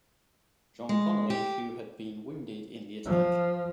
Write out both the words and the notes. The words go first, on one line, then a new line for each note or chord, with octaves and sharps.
John Connally, who had been wounded in the attack.
G#3
G4
F3